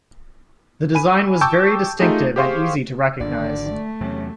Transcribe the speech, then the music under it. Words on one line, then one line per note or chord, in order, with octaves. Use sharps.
The design was very distinctive and easy to recognise.
G#5 B5 D#7
G5 A5 C#6 D6 E6 G6
A3 D#4 F4 G4 G#4
G4 G#4 C5 F5 C6 C#6
G#1 D3 D5
A3
E2 C3 F#3 C#4